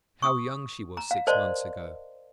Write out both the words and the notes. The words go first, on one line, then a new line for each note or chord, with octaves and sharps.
How young she was six months ago!
C#6 D#6
A#5
F5
A#4 C5 D5 D#5 A5 C6